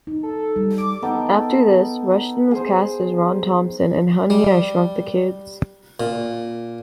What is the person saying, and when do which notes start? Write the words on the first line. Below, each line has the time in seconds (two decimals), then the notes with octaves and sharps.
After this, Rushton was cast as Ron Thompson in "Honey, I Shrunk the Kids".
0.07 D#4
0.23 A4
0.56 G3
0.78 D6
1.02 B3 D#4 A4 G5
2.51 G#4 C5
4.30 G3
6.00 A#2